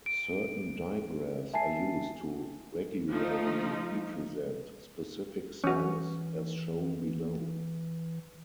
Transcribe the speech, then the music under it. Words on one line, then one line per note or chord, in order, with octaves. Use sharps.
Certain digraphs are used to regularly represent specific sounds as shown below.
D7
E5 G#5 A5 C7
F3 A3 D#4
E3 C#4 F#4